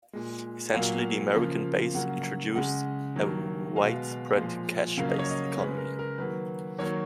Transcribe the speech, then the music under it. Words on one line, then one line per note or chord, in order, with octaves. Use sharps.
Essentially, the American base introduced a widespread cash-based economy.
A#2 G#3
A#2 F#3 A#3 F5
C#3 F3 A#3
C#3 F#3 A#3 F#5
C#3 G#3 F#5
D#3 F#3 A#3
G#3 F5
B2
A#2 F3 G#3
C#3 F#3 A#3 F5
D#5
C#5
D#5
C#3 G#3 B4
A#4
A#4
D#3 F#3 A#3 B4
D#3 F#3 A#3 C#5